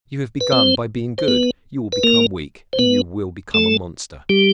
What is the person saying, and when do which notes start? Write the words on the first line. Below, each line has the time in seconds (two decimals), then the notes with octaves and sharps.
You have begun by being good, you will become weak, and you will become a monster.
0.41 B4
0.52 C4 C5
1.18 C5
1.28 B3 B4
1.92 B4
2.03 A#3 A#4
2.73 C5
2.79 B3 B4
3.54 A3 A4
4.29 G3 G4